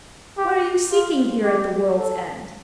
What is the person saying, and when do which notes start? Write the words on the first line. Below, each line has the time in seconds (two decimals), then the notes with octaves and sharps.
What are you seeking here at the world's end?'
0.38 G4
0.91 F4
1.43 G4
1.97 A4